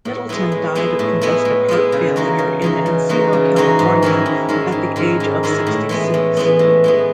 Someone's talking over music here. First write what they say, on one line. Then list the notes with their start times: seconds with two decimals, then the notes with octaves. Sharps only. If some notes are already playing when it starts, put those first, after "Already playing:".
Middleton died of congestive heart failure in Encino, California at the age of sixty-six.
0.05 A2
0.29 G#3 B3 E4
0.52 A2
0.75 G#3 B3 E4
0.99 A2
1.21 G#3 B3 E4
1.45 A2
1.68 G#3 B3 E4
1.92 C#3
2.16 E3 G#3 D#4 F#4
2.39 C#3
2.62 E3 G#3 D#4 F#4
2.86 C#3
3.09 E3 G#3 D#4 F#4
3.33 C#3
3.56 E3 G#3 D#4 F#4
3.79 G#2
4.02 D#3 G#3 C#4 E4
4.26 G#2
4.49 D#3 G#3 C#4 E4
4.72 G#2
4.96 D#3 G#3 C#4 E4
5.20 G#2
5.43 D#3 G#3 C#4 E4
5.67 A2
5.89 E3 G#3 B3
6.14 A2
6.37 E3 G#3 B3
6.59 A2
6.84 E3 G#3 B3